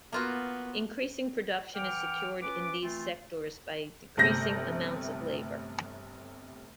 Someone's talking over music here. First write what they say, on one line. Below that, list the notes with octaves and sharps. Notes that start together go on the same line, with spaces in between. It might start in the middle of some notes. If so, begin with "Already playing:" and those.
Increasing production is secured in these sectors by decreasing amounts of labour.
A#3 B3 F4 F#4
E3 F#5 G5 D6 F6
C#4 F4 B4 D6
E3 A3 C4 F4
G1 C3 A3 C4 G6 A#6